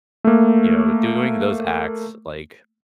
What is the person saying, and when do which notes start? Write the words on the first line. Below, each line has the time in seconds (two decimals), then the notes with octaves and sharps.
you know, doing those acts, like
0.25 A3 A#3